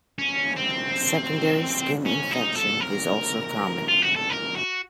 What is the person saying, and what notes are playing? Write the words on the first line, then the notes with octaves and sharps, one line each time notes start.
Secondary skin infection is also common.
C#4
C4
C#4
D#4
A4
A#4
F4
F#4
A4
A#4
F#4